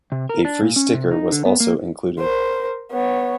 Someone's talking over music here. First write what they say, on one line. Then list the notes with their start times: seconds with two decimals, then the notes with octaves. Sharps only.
A free sticker was also included.
0.12 C3
0.29 A#4
0.45 D4
0.62 A#2
0.76 C#4
0.94 C3
1.11 D#4
1.32 D3
1.46 B3
1.60 A#3
2.19 A#4 C5
2.92 B3 C#5